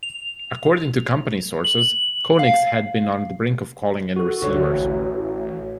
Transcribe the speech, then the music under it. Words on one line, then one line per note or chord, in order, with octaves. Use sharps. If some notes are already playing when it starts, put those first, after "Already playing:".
According to company sources, Konix had been on the brink of calling in receivers.
F7
F#7
F5
F#4 A4
D2 F#4 C#5
A1